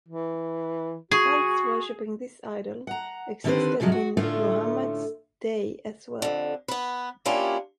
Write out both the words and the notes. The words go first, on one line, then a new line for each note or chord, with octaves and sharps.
Cults worshipping this idol existed in Muhammad's day as well.
E3
F#4 G#4 C#6
F#5 A#5
D3 D#3 C4 G4 B4 C5
G#2 C3 F3 F#3 G#3
F#4
A2 D3 A3 C#4 F4
F2 D3
B3 B4
A#3 C#4 D4 E4 F4 G4